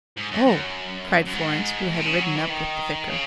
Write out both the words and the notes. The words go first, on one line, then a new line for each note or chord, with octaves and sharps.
"Oh!" cried Florence, who had ridden up with the vicar.
G#2
F#2
F#2
F#2
G#2
A2
C3
C#3
F#3
E3
D#3
C#3